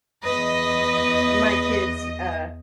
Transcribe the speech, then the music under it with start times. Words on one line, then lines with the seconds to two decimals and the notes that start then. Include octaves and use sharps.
my kids, uh
0.24 E2 B4 D#5